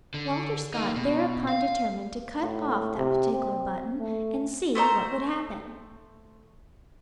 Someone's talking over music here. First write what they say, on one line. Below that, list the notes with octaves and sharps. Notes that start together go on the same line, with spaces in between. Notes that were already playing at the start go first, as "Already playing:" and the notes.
Walter Scott thereupon determined to cut off that particular button, and see what would happen.
D3
A#3 D#4
B2
F5
A2
C3
C4
A3
A3 C5 E5 A#5